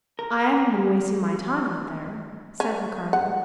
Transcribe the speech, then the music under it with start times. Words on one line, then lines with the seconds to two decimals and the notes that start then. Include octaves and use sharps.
"I haven't been wasting my time out there," said Ricardo.
0.19 A#4
2.60 C#4
3.13 F#5